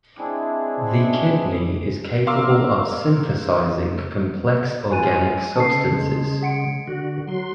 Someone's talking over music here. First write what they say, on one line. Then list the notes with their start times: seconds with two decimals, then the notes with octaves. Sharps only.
The kidney is capable of synthesizing complex organic substances.
0.19 G#3 C4 D4 E4 G#4
2.27 A#4 F5 C6 D6 E6
4.91 G#3 F4 G#5 F#6 D#7
5.56 C#3 A4 A5 C7
5.90 C#3 G#3
6.43 F#5 C#7 D7
6.87 D3 F#4
7.28 F#3 C6